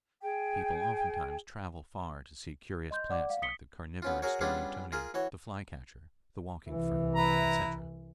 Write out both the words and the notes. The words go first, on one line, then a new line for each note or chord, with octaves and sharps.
People oftentimes travel far to see curious plants like the carnivorous darlingtonia, the fly-catcher, the walking fern, etc.
G#4 G5
D#5 C6 G6
D5 F#5 D6
F5
D#6 B6 C#7 G7
B3 C#4 F4
F#4 G#4 A#4 C#5
G3 B3 C#4 D4 F4 G#4
F4 G#4 A#4
E3 F#4 C#5
C2 E3
E4 B4 A#5